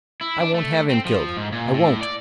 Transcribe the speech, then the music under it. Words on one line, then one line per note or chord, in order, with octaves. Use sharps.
I won't have him killed--I won't!
E4
D4
A3
C4
F3
G#2
A#2
A2
D5